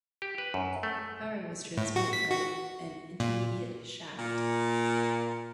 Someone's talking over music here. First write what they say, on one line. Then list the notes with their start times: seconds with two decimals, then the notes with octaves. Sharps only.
Power was transmitted via an intermediate shaft.
0.22 G4
0.38 B4
0.54 F#2
0.83 A3
1.77 A2
1.96 F#4
2.13 B6
2.32 F#4
3.20 A#2
4.19 A#2